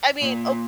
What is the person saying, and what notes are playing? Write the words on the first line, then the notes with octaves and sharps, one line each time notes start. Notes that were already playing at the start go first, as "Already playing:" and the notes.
I mean, ok
A#2